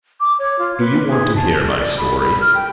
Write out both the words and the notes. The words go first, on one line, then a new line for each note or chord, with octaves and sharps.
"Do you want to hear my story?"
D6
C#5
F4
B4
G#4
A5
D5
B5
B5
F6
G5